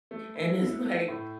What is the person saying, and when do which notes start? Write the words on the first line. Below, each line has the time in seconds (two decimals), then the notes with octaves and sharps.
and it's like,
0.11 A3
0.36 E4
0.60 E4
0.84 A3
1.08 A2